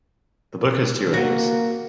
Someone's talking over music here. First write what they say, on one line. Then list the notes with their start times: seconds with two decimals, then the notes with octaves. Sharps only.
The book has two aims.
1.14 A#3 F#4